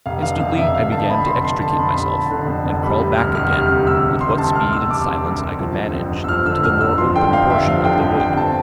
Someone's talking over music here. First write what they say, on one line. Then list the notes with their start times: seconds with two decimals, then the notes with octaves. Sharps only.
Instantly I began to extricate myself and crawl back again, with what speed and silence I could manage, to the more open portion of the wood.
0.06 F1 F5
0.22 D3 F5
0.40 F2 F5
0.58 F1 E5
0.75 F1 F5
0.92 D3 A5
1.10 F2 B5
1.27 F1 C6
1.44 F1 C6
1.62 D3 A5
1.79 F2 B5
1.96 F1 B5
2.13 F1 A5
2.31 D3
2.48 F2
2.66 F1
2.83 G3 B5
3.00 C3
3.17 D2 F6
3.35 E1 F6
3.52 G3 F6
3.69 C3
3.87 D2 E6
4.04 E1
4.21 G3 C6
4.38 C3 A5
4.55 D2 F6
4.73 E1 E6
4.91 G3 D6
5.08 C3
5.25 D2
5.42 E1
5.60 F3
5.77 D3
5.94 F2
6.12 G1
6.24 E6
6.28 F3 F6
6.46 D3 E6
6.63 F2 F6
6.81 G1 E6
6.98 F3 C6
7.16 D3 G5
7.33 F2 F5
7.50 G1 E5
7.67 F3 F5
7.85 D3 G5
8.02 F2 G5
8.19 G1 G5
8.36 C4 A5